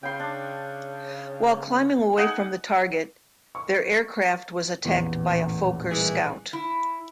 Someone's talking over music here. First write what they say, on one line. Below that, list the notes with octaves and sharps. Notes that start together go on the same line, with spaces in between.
While climbing away from the target, their aircraft was attacked by a Fokker scout.
C#3 G5 C6
D4
D#4 F#5 G#5
C#6
A1 E2 A#2 E3 F3
D#3 E3 G3 G#4
E4